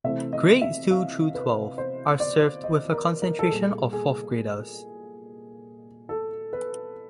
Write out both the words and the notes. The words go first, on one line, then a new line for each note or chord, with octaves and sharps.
Grades two through twelve are served with a concentration of fourth graders.
C3 E3 A3 C4 E5
D#5
E5
F5
B4
C5
D5
D#5
A#4
A#4
A4
A#2 G3 A#3 G#4
G#4
A4
B4